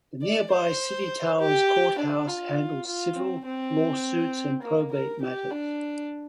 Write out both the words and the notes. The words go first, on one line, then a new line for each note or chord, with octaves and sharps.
The nearby City Towers courthouse handles civil lawsuits and probate matters.
D5
C5
G4
D4
F4
F4
C4
C4
A#3
A#4
G4
D4